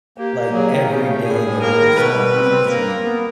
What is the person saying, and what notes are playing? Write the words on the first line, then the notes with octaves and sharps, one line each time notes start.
like every day they won't stop teasing it.
A#3 G4
A#3
F#3 G#4
D#3
C#3 G4
A3
A2 G#4
A2
A#3 A#4
D#3
B2 B4
G3
C4
C4
A#3 A#4
A#3
B3